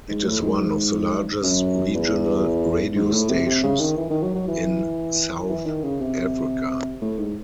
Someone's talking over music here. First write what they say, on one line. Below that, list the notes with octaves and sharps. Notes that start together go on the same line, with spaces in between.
It is one of the largest regional radio stations in South Africa.
G#2
A2
G#2
F#2
E2
G#2
A2
C3
C3
C#3
D#3
E3
D#3
F#3
F#3
E3
E3
D#3
C#3
C3
A2
G#2